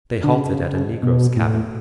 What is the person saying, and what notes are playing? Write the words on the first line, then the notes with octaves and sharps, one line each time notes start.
They halted at a negro's cabin.
D3
C#3
B2
A2